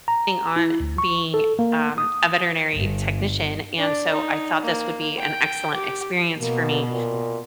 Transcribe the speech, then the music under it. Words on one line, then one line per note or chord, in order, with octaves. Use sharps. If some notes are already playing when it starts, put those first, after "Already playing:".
on being, um, a veterinary technician, and, so, I thought this would be an excellent experience for me.
A#5
E4
D2
C#6
A4
A#3
D#6
G1
D4
D#4
A#3
G5
G4
B2 A#3
A#2